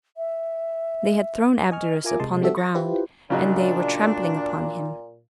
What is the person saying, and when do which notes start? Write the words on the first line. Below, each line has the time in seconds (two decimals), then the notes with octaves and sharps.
They had thrown Abderus upon the ground, and they were trampling upon him.
0.17 E5
1.71 D#5 G#5 C#6 F6
2.04 F4 A#4 E5 G#5 A#5 D6
2.20 C3 G#3 D#5 A5 C6
2.41 G3 C4 F#4 A4 E5
2.56 B5 C#6 A6 A#6
2.75 E4 F4 G4 B4 C5
3.30 A#2 C#3 F#3 D4 D#4